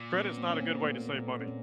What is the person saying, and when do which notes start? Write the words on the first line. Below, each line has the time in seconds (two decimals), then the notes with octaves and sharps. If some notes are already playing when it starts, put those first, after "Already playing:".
Credit is not a good way to save money.
Already playing: A#2
0.13 B3 C#4
0.37 A#3 C4
0.50 C#4
0.61 A#3 C4
0.85 A3 B3
1.16 A3 B3
1.39 C#4
1.48 A#3 C4